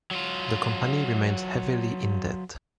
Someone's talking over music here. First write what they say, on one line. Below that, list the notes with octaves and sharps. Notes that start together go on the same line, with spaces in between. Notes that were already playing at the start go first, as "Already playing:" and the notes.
The company remains heavily in debt.
F#3 F4